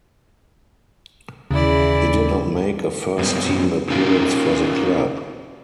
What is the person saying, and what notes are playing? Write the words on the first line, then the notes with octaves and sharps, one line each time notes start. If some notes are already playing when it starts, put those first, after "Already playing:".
He did not make a first team appearance for the club.
D#2 C#3 E3 E4 D5
F#2 G3 B3 C4
C#4 D#4 F4 G4 A#4